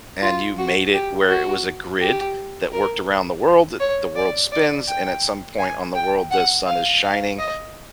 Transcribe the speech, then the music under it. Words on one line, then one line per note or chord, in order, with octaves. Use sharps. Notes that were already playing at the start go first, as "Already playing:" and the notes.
and you made it where it was a grid that worked around the world, th the world spins, and at some point on the world, the sun is shining
F4
F#4
G4
F#4
G4
A#4
C#5
D5
D5
G5
G#5
G5
F#5
F5
F5
D#5